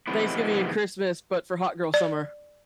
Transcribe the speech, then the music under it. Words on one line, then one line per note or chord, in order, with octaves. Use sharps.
Thanksgiving and Christmas, but for hot girl summer.
F2 C3 D#3 G#3 B3 E4
D5